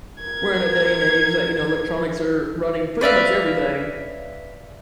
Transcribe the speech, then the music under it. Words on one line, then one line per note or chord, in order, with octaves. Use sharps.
we're in a day and age that, you know, electronics are running pretty much everything.
A#4 G#6
B4 D5 E5 F5